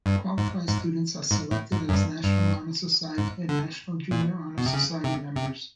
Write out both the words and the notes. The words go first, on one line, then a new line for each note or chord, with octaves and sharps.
Qualified students are selected as National Honor Society and National Junior Honor Society members.
G2
G#2
G#2
G#2
A2
G#2
F#2
G2
G2
G#2
D3
A#2
B2
C3
C#3
C3
C3